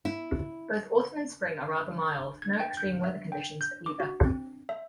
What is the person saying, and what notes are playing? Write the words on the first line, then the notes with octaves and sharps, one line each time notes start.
Both Autumn and Spring are rather mild, no extreme weather conditions for either.
E4
G#6
G5
G6
E5
G5
G6
D6
F#4
C4
E5